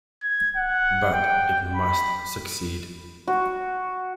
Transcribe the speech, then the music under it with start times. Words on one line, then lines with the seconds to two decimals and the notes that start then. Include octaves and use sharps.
But it must succeed!
0.23 G#6
0.57 F#5
1.13 G5
1.75 B5
3.28 F#4